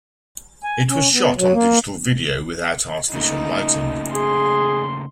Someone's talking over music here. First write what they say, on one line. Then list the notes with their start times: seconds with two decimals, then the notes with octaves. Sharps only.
It was shot on digital video without artificial lighting.
0.64 G#5
0.89 C#4
1.13 B3
1.37 F#3
1.52 A#3
3.13 C#3 A3 A#3 D#4
4.14 G#4 C6